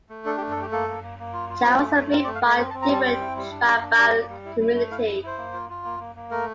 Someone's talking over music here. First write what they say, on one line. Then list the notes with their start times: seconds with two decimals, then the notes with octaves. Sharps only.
Chariots are made by a different tribal community.
0.09 A3
0.25 D4 A4
0.37 G4
0.40 A3
0.51 A4
0.56 A3 G4
0.72 A#3 A4
0.88 A#3
1.03 A#3
1.19 A#3
1.33 F4
1.49 F4
1.65 C4 C5
1.80 A3
1.96 A3
2.11 C4 A#4
2.24 D5
2.27 A3
2.35 F5
2.43 A3 E5
2.58 C4 C5
2.70 A5
2.74 C4
2.82 A#5
2.89 G3 A5
3.05 C4 G5
3.21 E4
3.36 G3
3.51 D4
3.67 A#3
3.83 D4
3.98 G3 D5
4.14 A#3
4.29 G3
4.45 E4
4.60 E4
4.75 A3
4.91 E4 F5
5.07 E4
5.23 E4 C5
5.38 A#3
5.53 F4
5.70 F4
5.84 A#3
6.00 A#3
6.15 A#3
6.31 A3 A#4